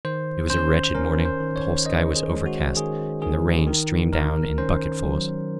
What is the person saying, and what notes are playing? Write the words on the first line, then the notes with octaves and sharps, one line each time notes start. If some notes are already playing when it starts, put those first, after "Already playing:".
It was a wretched morning, the whole sky was overcast, and the rain streamed down in bucketfuls.
D#3 C5
C#4 C5
C#4 A#4
C5
D#3
C#5
D#3 D#5
G#4
G#3
F#4
D#3 G#4
D#3 G#4
D#3
D#3 A#4
C#4 C5
F#3